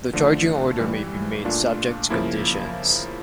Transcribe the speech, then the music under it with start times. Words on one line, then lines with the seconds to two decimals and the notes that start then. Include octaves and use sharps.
The charging order may be made subject to conditions.
0.13 D3 F3 A3 D4
0.79 G2 E3 G3
1.45 A#2 A3 D4 F4
2.10 C#3 F3 A#3 E4